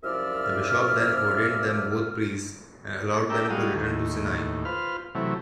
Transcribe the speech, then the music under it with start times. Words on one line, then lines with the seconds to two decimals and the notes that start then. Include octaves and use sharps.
The bishop then ordained them both priests and allowed them to return to Sinai.
0.03 C2 F#2 F3 D5 E5 F6
3.30 D4 A4 A#4 E5 G5
3.50 G3 G#3 F#4 F5 D#6
3.74 D#2 A2
4.65 F4 B4 C5 F6
5.15 C3 E3 F#3 A3